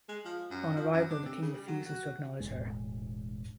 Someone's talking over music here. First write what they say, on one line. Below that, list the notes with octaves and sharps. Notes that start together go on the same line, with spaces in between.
On arrival the king refuses to acknowledge her.
G#3
F3
F#2
F3
F#2
D4
C3
C#3
G3
F#3
F#4
E1 F#2 A2 G#3